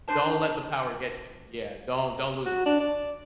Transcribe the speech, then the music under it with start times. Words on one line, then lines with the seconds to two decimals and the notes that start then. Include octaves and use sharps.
don't let the power get to you yeah, don't don't lose yourself.
0.08 D4 C5 A5
2.46 F#4
2.66 D4
2.80 D5